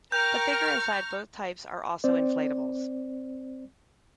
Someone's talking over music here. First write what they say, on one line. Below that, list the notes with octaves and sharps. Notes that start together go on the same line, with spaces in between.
The figures inside both types are also inflatables.
A#4 G5 A#5 C#6 F6 G6
C4 C5 D5